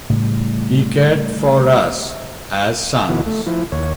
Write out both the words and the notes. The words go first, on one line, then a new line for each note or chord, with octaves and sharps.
He cared for us as sons.
A2 C#3 G3
B2 D#3 F3 E4 F#4
A3
F3 E4
D#2 C#5